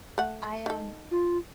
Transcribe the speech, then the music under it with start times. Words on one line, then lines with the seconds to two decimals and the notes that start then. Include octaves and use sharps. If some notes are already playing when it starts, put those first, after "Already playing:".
I, um,
0.18 A3 F#5
0.66 D#3 A4
1.11 F4